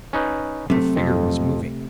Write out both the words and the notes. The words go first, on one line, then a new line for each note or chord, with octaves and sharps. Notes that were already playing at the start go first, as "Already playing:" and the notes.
The figure was moving.
C#4 D#4 B4
C3 F#3 A3 C4
F2